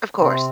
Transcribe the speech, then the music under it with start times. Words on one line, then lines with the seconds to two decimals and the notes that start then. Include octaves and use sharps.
Of course.
0.19 C3 C4